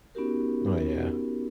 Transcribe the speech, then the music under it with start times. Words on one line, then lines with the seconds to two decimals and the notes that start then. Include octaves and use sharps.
Oh, yeah.
0.15 B3 C#4 D#4 F#4 G4 A#4